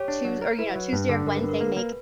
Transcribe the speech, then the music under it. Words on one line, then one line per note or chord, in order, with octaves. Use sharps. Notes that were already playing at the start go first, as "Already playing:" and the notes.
Tues or, you know, Tuesday or Wednesday make
Already playing: G4 C#5
D4
F#3
A#4
E4 B4
F#3
G2
D3
G2 A#4
B4
D3
A#4
A#3 B4
A#3